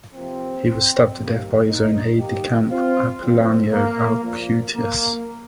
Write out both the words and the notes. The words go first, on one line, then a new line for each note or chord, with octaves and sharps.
He was stabbed to death by his own aide-de-camp, Apolinario Alcuitas.
C3 F3 A#3 C4
D#3 G3 A#3
A#3 D#4
D#3 G3 A#3 D#4 G4
C4 F4
A#2 F3 A#3 C4
A#3
A#2 F3 A#3
A#3